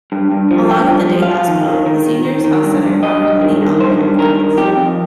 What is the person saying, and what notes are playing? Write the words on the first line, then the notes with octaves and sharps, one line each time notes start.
Along with the Day Hospital, the Seniors' Health Centre offers many Elder Care Clinics.
G2
G2
F3
G2 G5
F3
F3
F5
F3
D#3
D#3
D#3
D#3
D#3
D#3
G2
G2
G2 D#5
G2
D#3
D#3
G2 C5
G2
D#3 A#4
D#3
F2 G4
F2